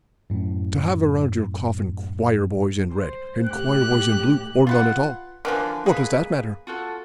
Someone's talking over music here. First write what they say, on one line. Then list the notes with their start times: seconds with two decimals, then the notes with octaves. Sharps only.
To have around your coffin choirboys in red and choirboys in blue or none at all--what does that matter?
0.30 F#2 A2
2.91 C5
3.45 A2 G4 F#6
4.67 F4 B4 F#5
5.45 D3 E3 F3 A#4 B4 G#5
5.86 A#3 G#4 B4
6.67 F4 F#4 A4